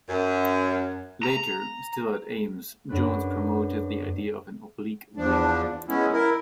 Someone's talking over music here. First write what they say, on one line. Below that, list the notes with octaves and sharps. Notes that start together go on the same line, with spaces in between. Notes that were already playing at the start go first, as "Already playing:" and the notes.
Later, still at Ames, Jones promoted the idea of an oblique wing.
F#2
A#5
F#2 D4 B4 F#6
E2 F3 D4
G#3 B3 C#4 E4
E4 A#4